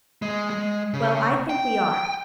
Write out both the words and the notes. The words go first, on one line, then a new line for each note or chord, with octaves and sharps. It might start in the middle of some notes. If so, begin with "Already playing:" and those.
Well, I think we are.
G#3
G#3
C#3
G5